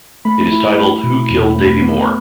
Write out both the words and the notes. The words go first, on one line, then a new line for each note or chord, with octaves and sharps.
It is titled Who Killed Davey Moore?
A3 B5
E4
A3
B2
E2
A3
B3